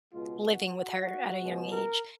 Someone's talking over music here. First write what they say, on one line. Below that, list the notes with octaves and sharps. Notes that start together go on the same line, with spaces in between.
living with her at a young age,
C#2 B2 G#3 F4
F#4
F#4
C#2 B2 G#3
A#4